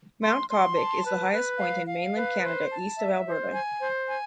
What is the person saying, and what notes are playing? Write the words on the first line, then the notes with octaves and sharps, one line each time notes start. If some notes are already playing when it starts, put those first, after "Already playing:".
Mount Caubvick is the highest point in mainland Canada east of Alberta.
C6
C6
A5
B4
B4
F5
F5
B4
C5
A5
E5
C5
G#5
C5
G#5